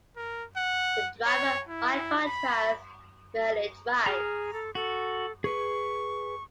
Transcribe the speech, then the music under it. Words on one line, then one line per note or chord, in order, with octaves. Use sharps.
The driver, by contrast, merely drives.
A#4
F#5
C#5
E4
B5
G#4 A#5 F6
A4
F#4 A4
G#4 B4 C#6